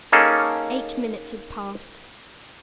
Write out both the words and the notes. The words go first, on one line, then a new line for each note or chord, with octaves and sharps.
Eight minutes had passed.
A#3 C#4 D#4 G#4 A4